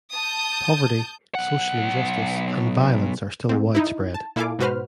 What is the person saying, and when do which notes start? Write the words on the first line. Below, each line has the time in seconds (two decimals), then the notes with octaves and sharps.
Poverty, social injustice and violence are still widespread.
0.12 A5 D#6 G6
1.35 B1 F#5
3.49 G#2 C4
3.75 D#4 E4
4.14 A5
4.36 A#2 E4 A4 F5 G#5 D6
4.59 G#2 B2 F#4 B4 C5 F6